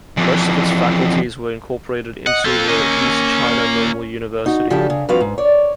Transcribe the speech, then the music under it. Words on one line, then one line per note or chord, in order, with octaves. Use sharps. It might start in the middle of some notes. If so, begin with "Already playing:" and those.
Most of its faculties were incorporated into the East China Normal University.
F2 E3
D#5 F#5
C4 F4 A4
A#3 C#4 D#5
D#4 F#4
C#3 F3 D4 F#4 G4 A4
C#3
G2 F3 C4 F#4 B4 F5
G#2
C#5 D5